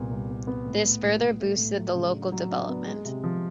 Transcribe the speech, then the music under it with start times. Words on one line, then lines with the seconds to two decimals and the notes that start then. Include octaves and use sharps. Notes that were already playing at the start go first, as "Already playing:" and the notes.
This further boosted the local development.
Already playing: C2 A#2 B3
0.11 C2
0.29 B3
0.47 B3
0.65 A2
0.84 A3
1.03 A2
1.21 A2
1.40 A3
1.57 A2
1.76 F#3
1.95 C#3
2.13 D4
2.32 F#3
2.51 D4
2.69 B3
2.87 G#3
3.05 C3
3.24 F3